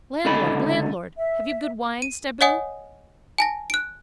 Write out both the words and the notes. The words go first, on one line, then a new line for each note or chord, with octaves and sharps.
Landlord, landlord, have you good wine, staboo?
C#2 D3 A4 D#5 B5
E5
D#7
C#5 D#5 F#5 G#5 D#6
G#5 A5 A#6
F#6 D7